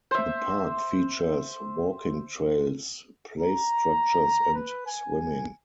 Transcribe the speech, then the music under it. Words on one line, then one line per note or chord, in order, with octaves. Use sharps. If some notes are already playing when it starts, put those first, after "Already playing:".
The park features walking trails, play structures and swimming.
C5 E5
A#5
B4
G#5